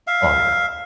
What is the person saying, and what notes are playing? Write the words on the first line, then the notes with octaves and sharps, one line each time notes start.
Oh, yeah.
E5 F5